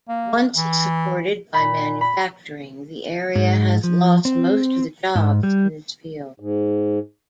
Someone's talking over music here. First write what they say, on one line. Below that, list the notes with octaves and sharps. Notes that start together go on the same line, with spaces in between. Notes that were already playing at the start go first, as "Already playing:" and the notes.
Once supported by manufacturing, the area has lost most of jobs in this field.
A#3
E3
A#2 B5
B5
G#2
F3
C4
G#2
G3
G#2